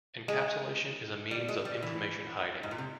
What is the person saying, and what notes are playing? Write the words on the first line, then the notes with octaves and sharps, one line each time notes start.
Encapsulation is a means of information hiding.
G#3
G3
G#3
G3
E3
G#2
A#2
C3